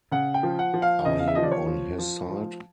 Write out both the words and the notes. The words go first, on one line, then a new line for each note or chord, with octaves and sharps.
Are you on his side?
C#3 F#5
G5
F3
F#5
F3
F5
C#3 D#5
F5
E5
F3 D#5
D5
C#5
F3
F3
F3